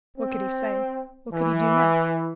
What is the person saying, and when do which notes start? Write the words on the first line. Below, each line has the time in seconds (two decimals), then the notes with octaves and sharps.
What could he say; what could he do next?
0.18 C4
1.32 E3